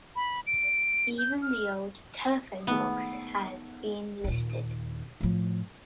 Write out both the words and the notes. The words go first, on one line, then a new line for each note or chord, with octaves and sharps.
Even the old telephone box has been "listed".
B5
D7
G6
F6
D#3 G#3 A3 B3
D#2 A#2
A2 F3